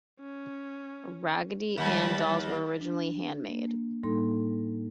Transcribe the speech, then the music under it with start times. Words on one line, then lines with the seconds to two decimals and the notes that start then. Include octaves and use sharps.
Raggedy Ann dolls were originally handmade.
0.20 C#4
1.78 D#2 G3 G#3 A5 B5
2.81 D4
3.48 A#3
4.03 A2 G3 A#3 D#4 A4 C6